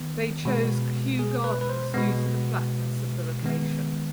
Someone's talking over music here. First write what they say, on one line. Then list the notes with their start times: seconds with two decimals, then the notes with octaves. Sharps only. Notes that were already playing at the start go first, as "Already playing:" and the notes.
They chose Kew Gardens due to the flatness of the location.
Already playing: D#3 B3
0.45 B2 G#3 B3
1.19 G#4
1.44 B4
1.61 B4
1.69 C5
1.94 B2 G#3 B3
3.43 D#3 G#3 B3